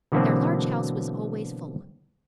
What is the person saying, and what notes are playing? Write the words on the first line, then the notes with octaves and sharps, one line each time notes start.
Their large house was always full.
B2 D3 E3 F#3 A#3 C4